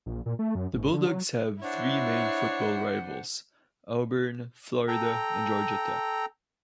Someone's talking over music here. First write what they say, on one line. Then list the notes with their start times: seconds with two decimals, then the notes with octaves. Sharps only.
The Bulldogs have three main football rivals: Auburn, Florida, and Georgia Tech.
0.06 A#1
0.26 A#2
0.39 A3
0.55 F#2
0.73 G#1
0.93 D3
1.07 F#3
1.62 D4 E4 C5 C#5 F#5
4.88 A4 G5 A#5